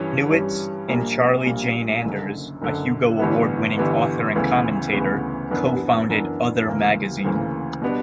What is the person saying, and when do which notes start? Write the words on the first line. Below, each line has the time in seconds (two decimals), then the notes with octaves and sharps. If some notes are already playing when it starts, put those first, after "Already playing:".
Newitz and Charlie Jane Anders, a Hugo award-winning author and commentator, co-founded "Other" magazine.
Already playing: G2 E3 G3 C#4
0.30 G2 E3 G3 C#4
0.88 A#1 A#2 G3 A#3
1.46 A#1 A#2 G3 A#3
2.05 F#1 F#2 D3
2.61 F#1 F#2 D3
3.19 G1 G2 E3 G3 B3
3.77 G1 G2 E3 G3 B3
4.35 D2 C#3 E3 B3
4.93 D2 C#3 E3 B3
5.51 F#2 E3 B3 D4 A#4
6.09 F#2 E3 B3 D4 A#4
6.66 D2 C#3 E3 A#3
7.24 D2 C#3 E3 A#3
7.82 B2 G3 B3 D4